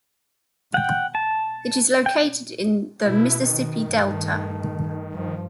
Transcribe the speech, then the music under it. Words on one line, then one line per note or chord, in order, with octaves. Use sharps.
It is located in the Mississippi Delta.
F#5 G5
A5
G5
B2 E4
D#3
G2 A3
G2 F3